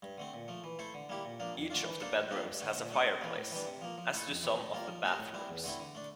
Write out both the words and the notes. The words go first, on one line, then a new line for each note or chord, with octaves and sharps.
Each of the bedrooms has a fireplace, as do some of the bathrooms.
G2
D3 A3 C4
A#2
F3 A3
E3
A3 E4 A4 C5
D3
G3 A#3 E4 G4
A#2
F3 A#3 D4
F2
D3 A3 D4 F4
E3
A#3 D4 A4 C5
A2
G3 A#3 D4 F4
G2
D3 A3
A#2
A3 D4 A4
C3
E3 A#3
A2
E3 G3 D4
C3
F3 A#3
F3
A3 E4 A4
F2
C3 E3
A2
G3 A#3 F4 A#4
F3
A3 C4 G4 A#4
A2
G3 C4 E4
E2
D3 A3 C4 E4
D3
A3 D4